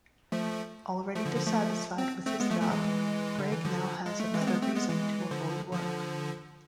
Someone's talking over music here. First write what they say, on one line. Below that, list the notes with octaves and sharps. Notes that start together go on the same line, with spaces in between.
Already dissatisfied with his job, Greg now has another reason to avoid work.
F3 A3
F3 A3
D3 F3
D3 F3
F3 A3
C4
A3 C4
G#3 B3
F3 A3
F3 A3
E3 G#3
D3
E3
D3 F3
G#3
A3
E3 G#3
C4
G#3 B3
A3 C4
G#3 B3
E3 G#3
E3
D3 F3
D3 F3